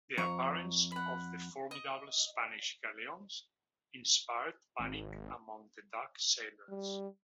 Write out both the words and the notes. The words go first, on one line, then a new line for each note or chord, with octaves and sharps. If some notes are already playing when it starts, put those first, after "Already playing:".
The appearance of the formidable Spanish galleons inspired panic among the Dutch sailors.
F2 A#5 C#6
F#5 B5
D#5
G#1
G3